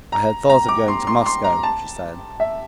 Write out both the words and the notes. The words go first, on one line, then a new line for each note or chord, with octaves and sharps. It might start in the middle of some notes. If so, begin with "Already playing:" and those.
"I had thought of going to Moscow," she said.
A#5
A#5
D6
C6
C6
C6
A#5
A5
E5